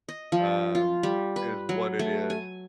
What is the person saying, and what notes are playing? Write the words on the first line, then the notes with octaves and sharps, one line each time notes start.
Um, is what it is
D#5
F3
F4
G3
B4
F#3
A3
G#5